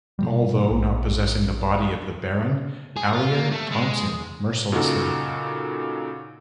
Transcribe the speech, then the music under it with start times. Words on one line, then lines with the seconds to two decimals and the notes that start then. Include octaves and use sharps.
Although not possessing the body of the Baron, Alia taunts him mercilessly.
0.19 B2 F3 G3
0.70 A#1
2.97 G#4
3.13 F4
3.33 A#3
3.52 A3
3.71 G#3
4.72 A#2 C#3 D#4 F#4 A4